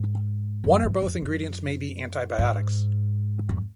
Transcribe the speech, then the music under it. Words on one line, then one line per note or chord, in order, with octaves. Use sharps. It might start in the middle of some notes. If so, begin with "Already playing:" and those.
One or both ingredients may be antibiotics.
Already playing: G#2
F#2
G#2
F2
F#2
G#2
F2